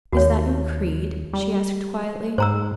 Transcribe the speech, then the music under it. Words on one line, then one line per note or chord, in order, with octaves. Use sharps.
"Is that your creed?" she asked quietly.
D#2 F#4 C#5
G3
G#2 C5 A#5 E6